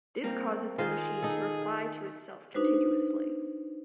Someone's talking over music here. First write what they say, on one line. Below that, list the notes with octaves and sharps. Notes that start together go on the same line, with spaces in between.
This causes the machine to reply to itself continuously.
G3 A#3 C4
D#3 F4 G#4 C5 D#5
D#4 A4
D4 D#4 F#4 B4 C5